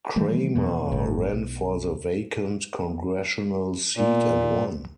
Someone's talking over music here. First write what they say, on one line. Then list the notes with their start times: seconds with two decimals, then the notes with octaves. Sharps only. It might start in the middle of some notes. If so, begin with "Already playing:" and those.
Cramer ran for the vacant Congressional seat and won.
0.16 D#3 E3 G3 A3
0.55 E2 B2
0.92 G1 A2
1.33 B1
3.97 A#2